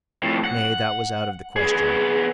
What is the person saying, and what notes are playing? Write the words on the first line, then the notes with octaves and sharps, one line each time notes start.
Nay, that was out of the question.
F2 A2
F#5
B3 G#4